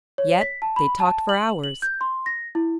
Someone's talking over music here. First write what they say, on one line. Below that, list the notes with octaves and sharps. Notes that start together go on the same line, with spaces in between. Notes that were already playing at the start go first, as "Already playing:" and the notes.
Yet they talked for hours.
C#5
B6
A5
B5
A5
F#7
F#7
G6
C6
A#6
E4